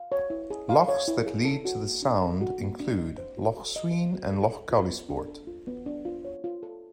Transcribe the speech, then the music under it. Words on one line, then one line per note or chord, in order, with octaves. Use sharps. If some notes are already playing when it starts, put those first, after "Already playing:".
Lochs that lead to the sound include Loch Sween, and Loch Caolisport.
Already playing: F5
C#5
E4
G#4
F5
C#5
E4
G#4
A4
F#4
A#3
D4
A4
F#4
A#3
D4
D#5
C5
F#4
A4
D#5
C5
F#4
A4
A4
F4
B3
D4
A4
F4
B3
D4
F4
C#5
F4
A4